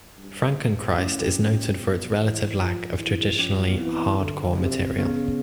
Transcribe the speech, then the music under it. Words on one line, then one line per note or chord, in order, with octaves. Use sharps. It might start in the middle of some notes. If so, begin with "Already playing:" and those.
"Frankenchrist" is noted for its relative lack of traditionally 'hardcore' material.
G2
A#2
A2 C#4
A#2
B2
E3
F3
E3
F3 C#4
B3
E3 C4
D3
C3
C#3 B3